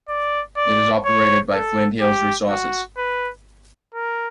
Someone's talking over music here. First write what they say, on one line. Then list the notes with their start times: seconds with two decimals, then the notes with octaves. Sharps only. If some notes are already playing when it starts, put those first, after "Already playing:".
It is operated by Flint Hills Resources.
0.09 D5
0.57 D5
1.05 C#5
1.53 A4
2.01 G4
2.49 F#4
2.97 B4
3.94 A#4